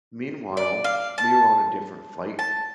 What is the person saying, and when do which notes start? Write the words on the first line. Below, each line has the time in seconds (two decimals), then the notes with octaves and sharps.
Meanwhile, we were on a different flight.
0.57 D5
0.84 F5
1.18 A5
2.39 A5